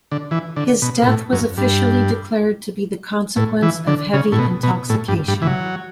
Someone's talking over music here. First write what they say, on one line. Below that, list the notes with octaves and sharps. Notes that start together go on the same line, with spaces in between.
His death was officially declared to be the consequence of heavy intoxication.
D3
E3
D3
B2
B2
A2
F#2
G2
A2
E3
D3
C#3
A2
B2
B2
A2
G2
G2
E3
F#3